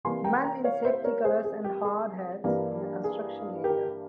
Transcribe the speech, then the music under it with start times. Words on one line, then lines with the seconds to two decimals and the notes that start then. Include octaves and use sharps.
Men in safety colors and hard hats in a construction area.
0.04 C3 E3 G3 A#3 G#5 C6
0.24 G5 A#5
0.44 G5 A#5
0.64 C#5 F5
0.85 C5 E5
1.04 A#4 C#5
1.24 G#4 C5
1.45 G#4
1.64 G4
1.84 G#4
2.44 G2 E3 G3 A#3
3.04 G#4
3.64 G4 A#4